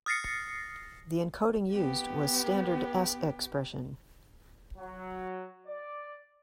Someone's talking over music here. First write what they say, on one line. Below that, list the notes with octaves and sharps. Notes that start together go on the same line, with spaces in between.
The encoding used was standard S-expression.
D#6 F6 A6 A#6 C7 C#7
B3 G4
F#3
D5